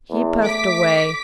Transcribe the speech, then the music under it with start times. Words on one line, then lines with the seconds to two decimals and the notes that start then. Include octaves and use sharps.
He puffed away.
0.10 E2
0.43 A3 D6 B6